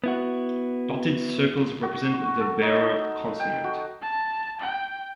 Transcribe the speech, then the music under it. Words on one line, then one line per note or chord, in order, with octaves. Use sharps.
Dotted circles represent the bearer consonant.
B3 E4 F#4
F#4
C#6
A4
D#4
A5
G5
F#4
A5
G5